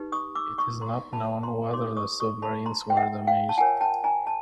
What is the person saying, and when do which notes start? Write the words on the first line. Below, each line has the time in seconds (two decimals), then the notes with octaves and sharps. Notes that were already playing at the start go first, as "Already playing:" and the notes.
It is not known whether the submarines were damaged.
Already playing: D#4 G4 B4
0.12 C#6 D#6
0.35 D6 E6
0.58 C#6 D#6
0.81 A#5 C6
1.13 A5 B5
1.43 A#5 C6
1.73 D#4 G4 A#4 C#5 C6 D6
1.97 C#6 D#6
2.20 C#6 D#6
2.42 A5 B5
2.66 A#5 C6
2.90 G5
2.97 E5 F#5
3.27 F5 G5
3.49 A5
3.57 F4 A#4 C#5 F#5 G#5
3.81 G5 A5
4.04 G#5 A#5
4.27 A5